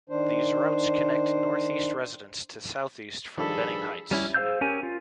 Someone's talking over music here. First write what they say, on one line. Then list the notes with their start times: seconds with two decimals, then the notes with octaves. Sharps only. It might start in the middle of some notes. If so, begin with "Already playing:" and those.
These routes connect Northeast residents to Southeast from Benning Heights.
0.10 D#3 D4 C5
3.38 G2 D#3 F3 D4 G#4 A4 A5 B5
4.11 G3 C#4 E4
4.34 G#4 C5 F5 E6 G6
4.61 C#4 G4 A#4 G#5
4.83 F4